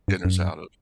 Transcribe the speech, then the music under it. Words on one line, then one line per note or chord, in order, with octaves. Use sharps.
dinners out of.
G2
F#2